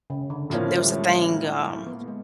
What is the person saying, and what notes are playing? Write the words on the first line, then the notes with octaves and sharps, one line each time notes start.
there was a thing, um,
C#3
D3
A2 D3 F3 A#3 C#4 E4
F#3
G3
G#3
G#3
A3
G#3
B3
A#3
A3
G#3